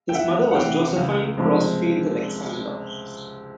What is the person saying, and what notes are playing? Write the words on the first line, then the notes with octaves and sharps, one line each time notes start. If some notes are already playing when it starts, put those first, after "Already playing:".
His mother was Josephine Crosfield Alexander.
G5
E2 E5 F#5
F#5
C3 E3 F5 G5
C#2
C3 F3 G#3